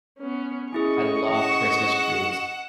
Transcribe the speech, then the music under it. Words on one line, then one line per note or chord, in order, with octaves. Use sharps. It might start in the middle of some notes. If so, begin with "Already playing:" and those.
I love Christmas trees.
B3 C#4
C#4 E4 G#4 D#5 C#6
F#5 E7